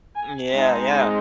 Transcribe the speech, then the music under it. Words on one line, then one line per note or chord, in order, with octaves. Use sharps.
Mm, yeah, yeah.
G#5
G#3 C4 D#4 A5